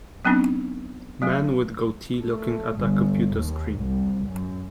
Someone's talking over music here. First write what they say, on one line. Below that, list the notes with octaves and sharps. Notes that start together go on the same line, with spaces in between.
Man with goatee looking at a computer screen.
F#3 B3 C4 D4 D#4
F#3 A3
A3
G1
D#2
C2
F#2